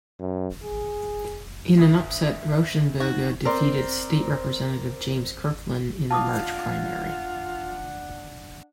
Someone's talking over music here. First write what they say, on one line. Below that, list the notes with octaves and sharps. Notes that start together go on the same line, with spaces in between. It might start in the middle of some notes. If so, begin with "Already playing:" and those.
In an upset, Rauschenberger defeated State Representative James Kirkland in the March primary.
F#2
G#4
D2 G2 E5 D#6
D#4 F#4
C4 A#4 C5 D5 C6
D4 F4 F#5 A5 D6 D#6